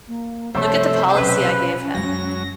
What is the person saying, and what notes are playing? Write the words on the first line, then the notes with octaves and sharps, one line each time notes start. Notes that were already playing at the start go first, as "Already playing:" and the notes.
Look at the policy I gave him!
A#3
G2 C3 F3 A3 C5 C#5 E5
B2 F#3 C#4 B4
F#2 F#3 G#3 A#6